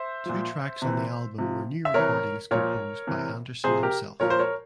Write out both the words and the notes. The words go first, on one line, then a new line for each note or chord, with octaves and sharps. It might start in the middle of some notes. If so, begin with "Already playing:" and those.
Two tracks on the album were new recordings composed by Anderson himself.
Already playing: C5 E5
A#2 F3
C3 E3
C3 F3
E5
C3 E3 A#4 C#5
A#2 F3 A#4 C#5
C3 E3
C3 F3 G#4 C5
G4 A#4
A#2 F3 A#4 C#5
C5
A#4 C#5